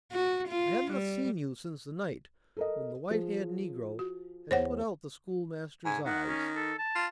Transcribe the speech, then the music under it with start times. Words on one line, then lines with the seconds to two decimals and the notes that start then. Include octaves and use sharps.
I had not seen you since the night when the white-haired negro had put out the Schoolmaster's eyes.
0.12 F#4
0.48 F4
0.91 G3
2.57 A4 A#4 D#5
3.11 F3 G#4
3.99 F#4
4.51 E2 C5 C#5 F#5
5.85 G#2 G#5
6.06 D#3 F#5
6.28 C#4
6.56 A4
6.78 A5
6.96 F4